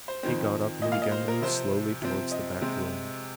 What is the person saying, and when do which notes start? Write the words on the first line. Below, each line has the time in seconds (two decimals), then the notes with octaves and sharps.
He got up and began to move slowly towards the back room.
0.08 C5
0.23 F2 D#3 C4
0.82 A#2 A#3 D#5
0.92 F5
1.02 D#5
1.12 C5
1.28 A#4
1.42 C3 F3 C4 C5
2.02 C3 F3 C4
2.32 D#5
2.61 C3 G#3 C4